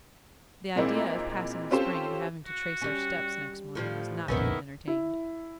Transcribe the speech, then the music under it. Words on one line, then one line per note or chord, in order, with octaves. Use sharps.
The idea of passing the spring and having to trace our steps next morning was not to be entertained.
A#2 G#3 A#3 C4 D#4 E4
C4 C#4 F4 G4 A4 C5
F#4
G3 C#4
A2 F3 G3
B1 F2 A#2 D#3 B3 C#4 E4
E4